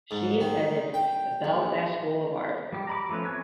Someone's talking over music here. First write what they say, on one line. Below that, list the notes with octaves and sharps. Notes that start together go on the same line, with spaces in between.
She attended the Belfast School of Art.
G#2
D#3
G5
A#1
G3 G4
A#5 B5 D6
F3 A3 B3 C#4 B4
C4 F#4 G#5 B5